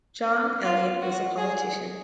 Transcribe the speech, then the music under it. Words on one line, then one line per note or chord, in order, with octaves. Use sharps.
John Elliot was a politician.
F4
F#4
G#4